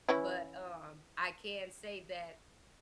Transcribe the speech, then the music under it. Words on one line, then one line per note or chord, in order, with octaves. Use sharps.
but, um, I can say that,
E3 C#4 E4